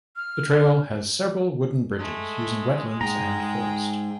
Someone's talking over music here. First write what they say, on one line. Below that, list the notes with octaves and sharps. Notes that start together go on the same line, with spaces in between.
The trail has several wooden bridges using wetlands and forest.
F6
G#3 A3
G#2 G#4 G5 A#5